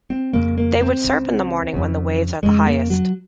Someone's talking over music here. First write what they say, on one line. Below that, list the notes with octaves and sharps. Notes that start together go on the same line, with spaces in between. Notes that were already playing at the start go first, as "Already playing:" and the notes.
They would surf in the mornings, when the waves were the highest.
C4
F2 C#3 A#3
A#3
C4
C#2 C#3
F2 C#3
F2 C#3 G#3
A#3
F#3